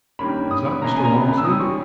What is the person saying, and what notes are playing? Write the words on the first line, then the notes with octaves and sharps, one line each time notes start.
"Is that Mr. Walmsley?"
G2 D#3 G3 A#3 C#4 B5
D#6
B5
E2 B2 A#3 C#4 A#5
G#5
A#5
B5
B5
E6
E2 D#3 G3 C#4 D#6
C#6